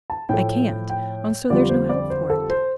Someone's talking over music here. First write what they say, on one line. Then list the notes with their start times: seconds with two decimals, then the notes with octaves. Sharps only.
"I can't! and so there's no help for it."
0.10 A5
0.29 A2 F3 A3 G5
0.90 G5
1.50 F2 D3 G3 F4 D5
1.69 C5
1.89 D5
2.10 C5
2.30 A4
2.50 C5